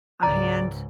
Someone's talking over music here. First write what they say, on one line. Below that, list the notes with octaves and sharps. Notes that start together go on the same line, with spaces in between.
a hand,
C#2 G#2 D5 A#5